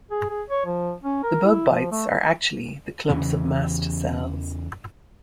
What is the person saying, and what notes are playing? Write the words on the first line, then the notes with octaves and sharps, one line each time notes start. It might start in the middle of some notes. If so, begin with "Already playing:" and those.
The bug bites are actually the clumps of mast cells.
G#4
G#4
C#5
F3
C#4
A#4
E4
F3
A3
E2 C#3 E3 C#4